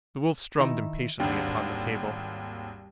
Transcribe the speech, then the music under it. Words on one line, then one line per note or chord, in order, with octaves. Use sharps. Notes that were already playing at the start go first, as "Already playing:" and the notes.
The Wolf strummed impatiently upon the table.
D#3 D#4 E4
G#1 D#2 G3 D4 G5